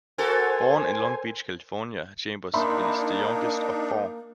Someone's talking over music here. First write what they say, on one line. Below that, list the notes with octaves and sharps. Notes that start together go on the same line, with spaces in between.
Born in Long Beach, California, Chambers is the youngest of four.
F#4 A4 A#4 C5 G#5
A#3 D4 D#4 E5 B5 C6